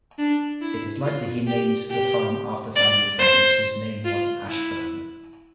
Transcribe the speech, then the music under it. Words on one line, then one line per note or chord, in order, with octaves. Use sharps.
It is likely he named the farm after family friends whose name was "Ashburn".
D4
E4
F4
G4
G4
D5
C5
F4
E4